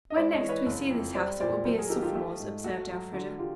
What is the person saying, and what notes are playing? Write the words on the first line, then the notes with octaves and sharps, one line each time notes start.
"When next we see this house it will be as sophomores," observed Elfreda.
D#5
G#3 C5 D5
C#5 D#5
E3
B4 C#5
F#1
F2
G3 C5 D5
A#2 C5 D5
F#3 A#4 C5
G#4 A#4
D#3 G4 A4
F4 G4
A3
G#2
A3 F#4
F#3 F#4
D3 F#4
F4 G4